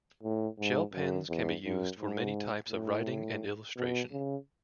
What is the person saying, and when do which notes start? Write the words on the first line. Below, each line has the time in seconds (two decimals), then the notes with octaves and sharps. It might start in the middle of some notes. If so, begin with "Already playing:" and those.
Gel pens can be used for many types of writing and illustration.
0.23 A2
0.58 G#2
0.93 F#2
1.29 E2
1.64 F#2
1.99 G#2
2.70 A2
3.77 B2
4.12 C#3